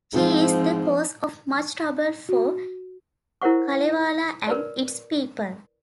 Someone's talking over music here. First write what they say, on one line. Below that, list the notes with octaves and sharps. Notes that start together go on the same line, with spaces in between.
She is the cause of much trouble for Kalevala and its people.
G#2 F3 C4
F#4
E4 A#4 C5 C#5 F#5 C#6
A#4 B4 C#5 D5